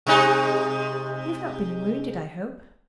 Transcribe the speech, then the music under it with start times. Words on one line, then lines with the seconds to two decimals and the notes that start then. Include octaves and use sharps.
"You have not been wounded, I hope?"
0.07 C3 G#3 D#4